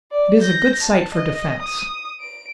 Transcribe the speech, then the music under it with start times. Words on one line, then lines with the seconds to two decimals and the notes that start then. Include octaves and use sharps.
It is a good site for defense.
0.12 D5
0.41 G6 A#6
0.81 A5
1.15 D#5
1.62 D#6
2.20 D7